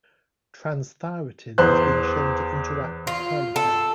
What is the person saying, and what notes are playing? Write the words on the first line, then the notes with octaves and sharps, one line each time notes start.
Transthyretin has been shown to interact with Perlecan.
E2 C5 F#6
F4
A4